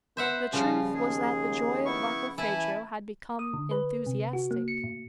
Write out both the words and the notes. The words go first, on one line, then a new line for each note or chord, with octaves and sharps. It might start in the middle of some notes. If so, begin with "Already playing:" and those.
The truth was that the joy of Barkilphedro had become enthusiastic.
B3 B4 C5 E5 F#5
C#3 F3 G3 C#4 F4
D#2 G#4
B3 E4 C#6
E3 E4 G#5 A5 B5
D#6
D3
B4
C3
F#4
A#3
C#7
A2